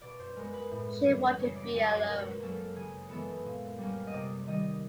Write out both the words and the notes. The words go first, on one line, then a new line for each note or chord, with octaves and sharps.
She wanted to be alone.
B2 D5
C5
G#3 B3 A#4
B4
A2
E3 G3
C#3 C#5
D5
F3 G#3 D5
C#5
B2 A#4
F#3 A#3 C#4 A4
C#3 G#4
E3 G#3 B3 A4
A#2
G3 A#3 C#4
D#5
C3 D5
D#3 G3 D#5